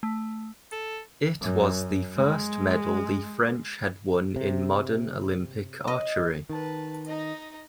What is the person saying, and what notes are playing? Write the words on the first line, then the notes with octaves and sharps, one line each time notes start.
It was the first medal the French had won in modern Olympic archery.
A3
A4
F#2
G#3
C3
D#5
D#3 B4 A5
D#4 D#5